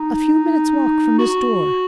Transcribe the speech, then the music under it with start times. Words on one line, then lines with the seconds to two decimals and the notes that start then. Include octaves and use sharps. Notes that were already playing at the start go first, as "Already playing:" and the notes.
"A few minutes' walk from this door."
Already playing: D#4
1.18 F#4